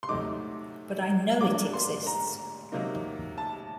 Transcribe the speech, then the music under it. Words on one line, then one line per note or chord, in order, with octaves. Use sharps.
But I know it exists.
C6
C3 F#3 A3 D#4 D6
F#3 A#3 D4 D6
C6
A#5
C3 F#3 A#3 D#4
A5